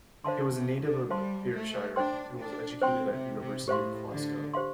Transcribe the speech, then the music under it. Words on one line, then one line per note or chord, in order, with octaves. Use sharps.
He was a native of Ayrshire and was educated at the University of Glasgow.
D3 C5 F5 A5 C6
C3
D3
G3 C5 F5 A5 C6
A3
D4 C5 G5 C6
D4
C4 C5 G5 C6
C3
C3
A2 G4 C5 F5 C6
D3
G4 C5 F5 C6